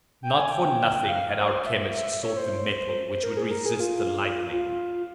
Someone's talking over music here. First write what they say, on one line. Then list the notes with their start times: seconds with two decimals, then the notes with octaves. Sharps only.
Not for nothing had our chemists sought the metal which would resist the lightning.
0.23 G5
0.38 G#5
0.51 G5
0.80 G5
0.95 G5
1.09 F5
1.37 C5
1.66 E5
1.80 E5
2.23 C#5
2.37 C5
3.09 C5
3.23 A#4
3.37 G#4
3.51 A#4
3.66 G#4
3.80 F4
4.51 F4